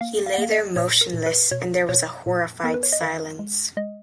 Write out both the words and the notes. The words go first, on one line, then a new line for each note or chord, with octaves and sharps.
He lay there motionless and there was a horrified silence.
A#3 F5
F5
F#5
A#3 F5
D#5
A#2 C#5
A#4
A#2
B4
B2 C#5
B2 C#5
A#2
B3 A#4
B4
C#5
D#5
D#3 F5
G#3
G#3 D#5